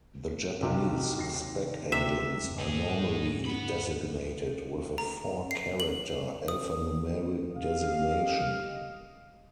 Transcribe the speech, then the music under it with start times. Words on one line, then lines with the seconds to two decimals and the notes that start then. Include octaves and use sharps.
The Japanese spec-engines are normally designated with a four character alphanumeric designation.
0.63 B1 C3
1.18 D#2 A#6 C7
1.92 C3 E5
2.44 F2 G#2
2.59 D#4 G#4
3.45 F#5 B5
4.98 A#5
5.51 C7
5.80 F#7
6.48 D#6
7.56 G4 D#5 F5